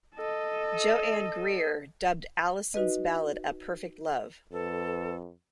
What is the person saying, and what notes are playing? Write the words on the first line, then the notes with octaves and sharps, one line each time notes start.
Jo Ann Greer dubbed Allyson's ballad "A Perfect Love".
A4 D#5
D#4 F#4 B4 D#5
F2 A4 B4